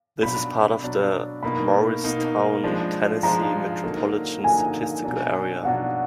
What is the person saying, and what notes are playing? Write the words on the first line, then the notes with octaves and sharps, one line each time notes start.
It is part of the Morristown, Tennessee, Metropolitan Statistical Area.
B2 F#3 D4 B5
B2 F#3 D4
B2 A#3 D#4 B5
B2 A#3 D#4
F3 G#3 D4
F3 G#3 D4 A#5
D3 F#3 A#3 D#4
D3 F#3 A#3 D#4 G#5
B2 F#3 D4
B2 F#3 D4 F#5